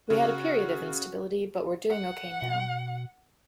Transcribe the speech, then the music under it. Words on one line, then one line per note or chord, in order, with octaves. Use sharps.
We had a period of instability but we're doing ok now.
C#3 F#4
F#5
B2